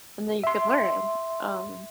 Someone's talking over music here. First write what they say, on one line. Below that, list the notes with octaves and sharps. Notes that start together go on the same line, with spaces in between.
and then you could learn, um.
E5 C6